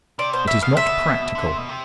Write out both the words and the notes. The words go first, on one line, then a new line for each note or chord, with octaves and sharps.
It is not practical.
C3 D5
B2 C5
B2 E5
B2 F5
C3 E5
B2
D3
C3
B2
C3